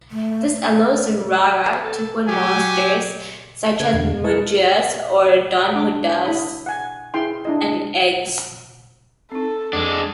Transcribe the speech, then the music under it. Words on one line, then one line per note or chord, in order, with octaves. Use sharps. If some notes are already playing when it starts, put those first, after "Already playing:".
This allows "Rara" to put monsters such as Medusas or Don Medusas in eggs.
A3
A4
F#3 G4 G#5
C#3 A3 B4 G#6
E2 B2 D3
E4 G#4 A#4 B4 A5 C#6
D4 D6
E4 B5 D#6
F#5 G#5
E4 G#4 G5 C6
D4 E4 D#5
C4 D#4 A4
F2 F3 G#3 D4